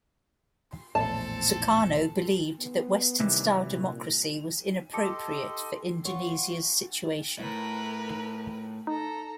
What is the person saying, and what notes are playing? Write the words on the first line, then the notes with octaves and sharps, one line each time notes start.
Sukarno believed that Western-style democracy was inappropriate for Indonesia's situation.
A#1 E2 A2 C4 A4 A5
B3
D#2 C3 E3 G3
A#2
G4 A4 D#5 A5 C6 D6 C#7
F4 C#5 F#5 C6
A2 A#4 B4
D#4 A4 A#5